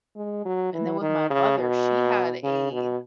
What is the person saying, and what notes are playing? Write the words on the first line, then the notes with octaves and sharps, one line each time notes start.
and then with my mother, she had a
G#3
F#3
E3
D#3
C#3
B2
C#3
B2